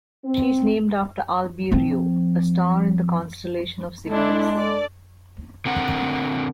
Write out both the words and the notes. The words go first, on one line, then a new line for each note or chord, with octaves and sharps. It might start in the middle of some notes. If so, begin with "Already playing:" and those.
She is named after Albireo, a star in the constellation of Cygnus.
C4
F3 C4
G#3 D4 E4 A4
A4 D5
D3 C4 A#4 F#5